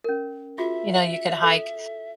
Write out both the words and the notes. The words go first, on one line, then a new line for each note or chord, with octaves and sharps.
you know, you could hike.
C#4 A#4
F4 F#4 G#4 E5
A4